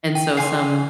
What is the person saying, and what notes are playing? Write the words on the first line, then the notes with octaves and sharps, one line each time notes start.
And so some
G5
F5 G#5 C6